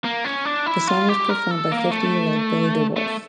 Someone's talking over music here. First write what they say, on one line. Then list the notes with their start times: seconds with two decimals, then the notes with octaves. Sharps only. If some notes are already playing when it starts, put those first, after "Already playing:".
The song was performed by fifty-year-old Billy De Wolfe.
0.04 A#3
0.25 C#4
0.45 D4
0.66 E4
0.88 F4
1.08 G4
1.29 A#4
1.51 A4
1.72 A#3
1.92 A3
2.96 A3